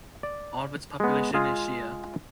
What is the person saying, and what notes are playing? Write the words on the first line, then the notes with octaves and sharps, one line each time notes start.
All of the its population is Shia.
D5
G#3 B3
G#3 F4 G#4